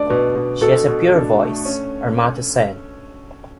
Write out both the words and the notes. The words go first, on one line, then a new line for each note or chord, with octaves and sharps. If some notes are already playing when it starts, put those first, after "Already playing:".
"She has a pure voice," Armato said.
Already playing: A3 D4 D5
B2 B4
B2
B2 A4
B2
D4
A3
C#4